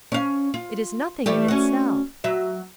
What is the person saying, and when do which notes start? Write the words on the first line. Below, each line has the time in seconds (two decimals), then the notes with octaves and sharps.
It is nothing in itself.
0.12 C#4 F5
0.54 F4
1.26 G3 A3 G4
1.48 C#4 F#4
2.24 F#3 E5